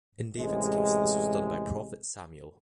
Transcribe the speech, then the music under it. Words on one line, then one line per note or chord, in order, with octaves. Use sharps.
In David's case, this was done by the prophet Samuel.
A1 C3 G#3